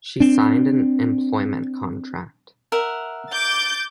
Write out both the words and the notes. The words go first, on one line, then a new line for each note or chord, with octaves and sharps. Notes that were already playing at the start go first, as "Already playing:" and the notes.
She signed an employment contract.
C4 D4
A#4 E5 F#5
D6 G6 A6